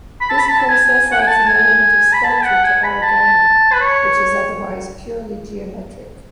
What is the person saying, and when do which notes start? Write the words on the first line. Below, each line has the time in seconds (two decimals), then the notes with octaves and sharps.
This process adds an element of sculpture to origami, which is otherwise purely geometric.
0.21 B5
0.29 A5
0.39 B5
0.49 A5
0.59 A5
0.69 G#5
1.12 F#5
1.19 G#5
1.27 A5
1.46 G#5
2.13 B5
2.24 A5
2.44 F#5
2.64 G#5
2.83 B5
3.03 A5
3.72 B4
3.81 C#5